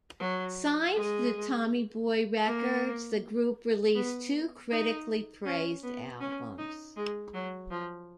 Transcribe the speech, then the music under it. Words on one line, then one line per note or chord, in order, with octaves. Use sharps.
Signed to Tommy Boy Records, the group released two critically praised albums.
F#3
G#3
A#3
B3
D#4
C#4
B3
C#4
D#4
G#3
F#3
F3